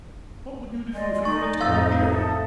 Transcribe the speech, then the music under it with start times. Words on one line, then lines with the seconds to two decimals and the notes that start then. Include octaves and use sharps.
What would you do if he were to turn up here?
0.93 D5 D#5 G#5 C6
1.25 D#4 C#6
1.61 F2 A2 F5 E6 A6
2.08 A4 E5 D#6